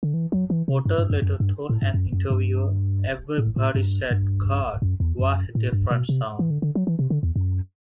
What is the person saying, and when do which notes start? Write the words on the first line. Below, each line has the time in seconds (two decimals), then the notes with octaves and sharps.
Porter later told an interviewer: Everybody said, 'God, what a different sound!
0.03 D3
0.14 E3
0.32 F#3
0.50 E3
0.68 C3
0.85 G2
0.98 G2
1.10 F#2
1.22 F#2
1.40 G2
1.69 A2
1.82 G2
1.94 F#2
2.13 F#2
2.30 G2
3.38 A2
3.56 A2
3.75 G2
4.11 G2
4.82 F#2
5.00 E2
5.19 F#2
5.55 A2
5.72 G2
5.91 B2
6.09 C3
6.39 E3
6.51 D3
6.62 D3
6.75 F#3
6.87 E3
6.99 C3
7.10 D3
7.23 E2
7.36 F#2